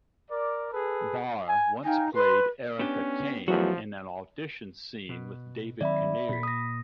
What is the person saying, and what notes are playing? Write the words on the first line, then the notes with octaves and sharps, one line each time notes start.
Barr once played Erica Kane in an audition scene with David Canary.
A#4 D5
G#4 A4 B4
G#5
D#4 F5 G5 G#5
B4 C6
B3 C#4 D4 G4
E2 F3 F#3 A3 F#4
B2
D#3 F#3 C4 D5 E5 B5
A#2 B5 B6
D#6 A#6